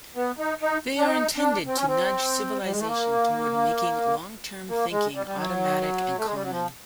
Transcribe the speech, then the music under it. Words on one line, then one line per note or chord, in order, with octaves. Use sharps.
They are intended to "nudge civilization toward making long-term thinking automatic and common".
B3
D#4
D#4
D4
D#4
D4
C4
C#4
C4
G3
G#3
A3
A#3
A#3
G#3
G3
G3
F#3
A3
G#3
G3
F#3
F3